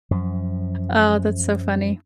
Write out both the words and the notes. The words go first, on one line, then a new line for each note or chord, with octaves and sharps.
Oh, that's so funny.
F#2 F3